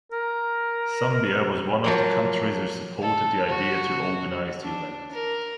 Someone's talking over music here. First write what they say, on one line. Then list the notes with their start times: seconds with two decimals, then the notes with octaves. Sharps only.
Zambia was one of the countries which supported the idea to organize the event.
0.12 A#4
1.84 F3 F#3 A#3
3.02 A4
3.47 F#4
4.62 D4
5.12 A#4